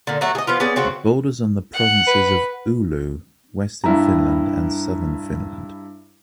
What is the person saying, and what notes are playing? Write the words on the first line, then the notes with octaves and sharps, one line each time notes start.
It borders on the provinces of Oulu, Western Finland and Southern Finland.
A#2 D3
F#3 A3 F#4
G#4 D#5
F3 B3 F4
B3 C#4 G#4 D5
C#3 C4 F#4
F#5
B4
G2 E4 A#5